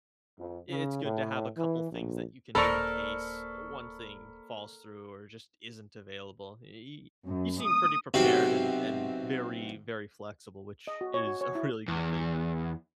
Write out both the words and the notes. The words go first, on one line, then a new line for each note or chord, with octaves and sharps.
it's good to have a couple things that you can do in case, uh, one thing falls through or just isn't available. Y you seem pretty prepared and and very, very flexible, which is a really good thing.
F2
C#3
A2
E3
A#1
D#1 A#3 A4 A#4 C5 D5 B5 C#6
F#2
D#6
B1 C3 C4 F#4 C#6
D#5
F#4
C#5
F#4
C#5
E4
E2